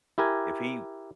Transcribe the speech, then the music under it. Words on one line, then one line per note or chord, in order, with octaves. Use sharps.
if he
E4 G4 A#4 G#5